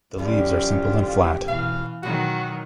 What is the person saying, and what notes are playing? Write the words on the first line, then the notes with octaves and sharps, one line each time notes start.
The leaves are simple and flat.
F#2 D3 E3 F3 F4 G4
B2 E3 F5
B2 D#3 F#3 F#4